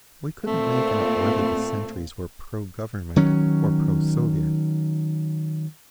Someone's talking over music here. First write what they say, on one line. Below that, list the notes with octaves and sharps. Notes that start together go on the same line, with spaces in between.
We couldn't make out whether the sentries were pro-Government or pro-Soviet.
A#2 A3 C4 F4
D#3 F#3 C#4